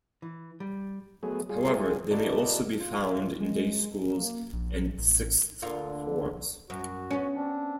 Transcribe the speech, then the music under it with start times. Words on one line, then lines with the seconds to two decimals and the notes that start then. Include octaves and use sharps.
However, they may also be found in day schools and sixth forms.
0.22 E3
0.60 G3
1.23 F#3 A3 B3 G#4
1.49 G3 F4 G#4
2.11 D#4 E4 F#4 D5 A5
2.80 F4
3.41 G#3
4.12 A#3
4.53 A#1
4.98 A1
5.62 D2 D3 A#3 F4
6.70 F#2 F#4
7.11 B3 C#4
7.36 C4 D4